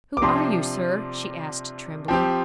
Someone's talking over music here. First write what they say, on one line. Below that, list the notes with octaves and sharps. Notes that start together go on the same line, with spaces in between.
"Who are you, sir?" she asked, trembling.
D6
C3 F3 D4 C6
F3 C4 G4 G5